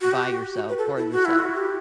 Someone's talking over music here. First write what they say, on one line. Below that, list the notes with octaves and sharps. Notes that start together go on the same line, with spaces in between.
by yourself for yourself,
F#4
G4
F#4
B4
A4
E4
F#4
E4
F#4
G4